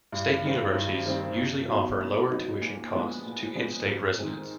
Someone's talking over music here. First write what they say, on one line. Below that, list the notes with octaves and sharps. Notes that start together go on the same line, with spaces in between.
State universities usually offer lower tuition costs to in-state residents.
G2
D#3 G3 C4
G2
D#3 G3 C4
B2
F#3 B3 D#4
B2
F#3 B3 D#4
A#2
F3 G#3 B3 D4
A#2
F3 G#3 B3 D4
G#2
D#3 G#3 C4